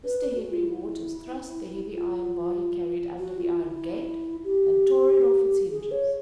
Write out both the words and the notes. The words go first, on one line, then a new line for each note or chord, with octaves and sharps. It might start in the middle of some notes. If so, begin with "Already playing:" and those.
Mr. Henry Waters thrust the heavy iron bar he carried under the iron gate, and tore it off its hinges.
B4
B4
F#4
F4
E4
F4
F#4
F4
E4
G4
G#4
C#5